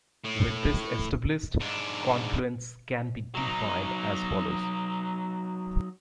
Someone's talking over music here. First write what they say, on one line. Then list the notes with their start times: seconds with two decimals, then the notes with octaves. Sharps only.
With this established, confluence can be defined as follows.
0.25 A2
1.61 G#2 D4
3.35 F#3 D#4